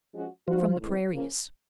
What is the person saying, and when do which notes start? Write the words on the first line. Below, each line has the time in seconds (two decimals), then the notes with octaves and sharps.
From the prairies.
0.14 F3 G#3 C#4 F#4
0.47 F3 G3 B3 D#4 F#4
0.80 A2 E3 G#3 C4
1.12 C#3 F3 A#3 C#4